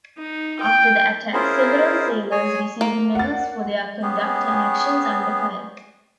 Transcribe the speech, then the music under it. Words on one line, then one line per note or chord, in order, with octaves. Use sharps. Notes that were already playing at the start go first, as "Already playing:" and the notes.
After the attack, several sailors received medals for their conduct and actions under fire.
D#4
G5
C#4 E4 F4 G#4 A#4 C5
G#4 C#5 G#5
A#3
F#5 A6
B3 C#4 G4 G#4